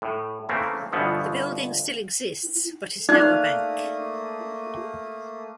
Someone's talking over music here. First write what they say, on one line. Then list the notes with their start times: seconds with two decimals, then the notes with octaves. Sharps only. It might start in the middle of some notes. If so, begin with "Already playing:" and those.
The building still exists but is now a bank.
0.02 A2
0.49 C#3 E3 A3 A#3 C4
0.92 G1 B2 E3 F3 B3
3.09 A3 A#3 D#4 D5 F5 D#6 F#6